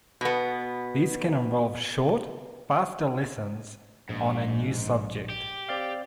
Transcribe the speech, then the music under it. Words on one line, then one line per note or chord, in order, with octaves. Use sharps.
These can involve short, faster lessons on a new subject.
B2 B3
A#1 G#2
G4
C4 D5 F5